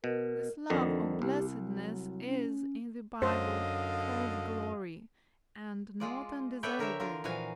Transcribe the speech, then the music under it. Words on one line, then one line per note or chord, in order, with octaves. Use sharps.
This love or blessedness is, in the Bible, called Glory, and not undeservedly.
B2 A#4
F2 D3 D#3 D4
C2 G4
F#3
C#4
F#2 D3 C5 D#5 F5
G#3 F4 D5
A4 B4 C#5 D5 E5 G5
D3 A#4 C#5 E5
D3 F4 A#4
A#2 E3 F3 F#4 F5 G#5